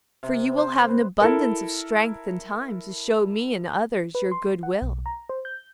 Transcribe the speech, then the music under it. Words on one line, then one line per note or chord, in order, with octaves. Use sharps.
For you will have an abundance of strength and time to show me and others your good will.
C3
C5
B4
E4 A4 A#4
B4
C6
F#5
B1
A#5
C5
G6